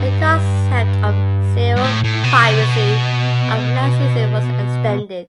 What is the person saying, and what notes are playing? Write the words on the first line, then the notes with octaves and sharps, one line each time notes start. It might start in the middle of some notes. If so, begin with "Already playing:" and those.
The concept of "Zero privacy" of last season was extended.
Already playing: G2
G2
A2
A2
B2
C3
B2